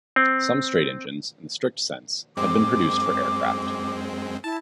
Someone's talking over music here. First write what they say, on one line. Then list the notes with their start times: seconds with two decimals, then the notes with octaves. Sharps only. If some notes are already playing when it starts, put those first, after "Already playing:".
Some straight engines, in the strict sense, have been produced for aircraft.
0.16 C4
2.37 F#2 G#3 C4 D6
4.44 E4 A5